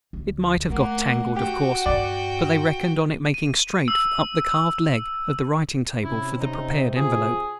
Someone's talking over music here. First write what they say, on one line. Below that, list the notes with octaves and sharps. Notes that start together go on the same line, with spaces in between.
It might have got tangled, of course, but they reckoned on its making straight up the carved leg of the writing-table for the prepared envelope.
D2
A3 A#3 F#5
F#4 G4 G5
G2 A#2 D5
D#7
E6
C3 C#4 E4
D#4
F4 G#4